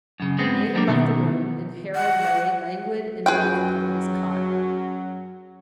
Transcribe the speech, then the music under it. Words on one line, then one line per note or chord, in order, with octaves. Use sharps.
May had left the room, and Harold lay languid and weak upon his cot.
F#2 C#3
G2 G#3 B3 C4
F#3 G3 A#3 B3 D4
B2 D#3 B3
F#5
F#2 F#3 G#4 B4 G5